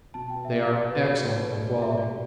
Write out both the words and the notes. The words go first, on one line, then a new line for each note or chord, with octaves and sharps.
They are excellent in quality.
B2 A5
G5
B3
E5
G4
D5
B2 D5
B4
B2
D5
B3 D5
B2 B4
A3 D5
D5
G4
E5
B2 D5